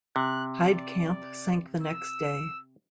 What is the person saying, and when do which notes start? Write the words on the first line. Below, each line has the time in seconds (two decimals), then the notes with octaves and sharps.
"Heidkamp" sank the next day.
0.16 C3 F#6
0.61 D5
1.83 E6